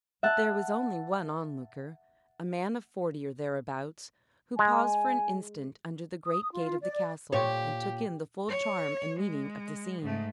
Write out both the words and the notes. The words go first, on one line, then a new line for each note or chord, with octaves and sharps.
But there was only one onlooker, a man of forty, or thereabouts, who paused for an instant under the great gate of the castle and took in the full charm and meaning of the scene.
E5 F#5 A5
G#3 G#5
D#6
F4
D5
A#2 G4 C#5
C#5
G#3
G#2 A3